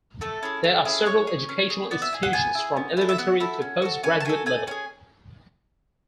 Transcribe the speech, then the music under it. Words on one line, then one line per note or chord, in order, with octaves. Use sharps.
There are several educational institutions from elementary to post-graduate level.
A3 A4
C#4 E4 G#4
A3
C#4 E4 G#4
C#4 C#5
G#4
C#4
G#4
B3 D5
E5
E4 G#4
F#5
B3 G#5
E4 G#4
B3
E4 A4
E5
B3 F#5
E4 A4
C#4
F#4 A4
C#4 G#5
A5
F#4 A4 G#5
A3 G#5
C#4 G#4 G#5